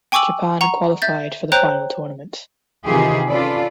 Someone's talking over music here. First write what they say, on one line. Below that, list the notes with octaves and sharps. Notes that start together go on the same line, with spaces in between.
Japan qualified for the final tournament.
G5 G#5 C#6 D6 E6 F#7
F#5 A#5 C#6
E5 G6 A6
C5 C#5 G5 A#5 F#6 G6
C3 D#3 E3 F4 G4 G#4
C#4 F4 A4 B4 D5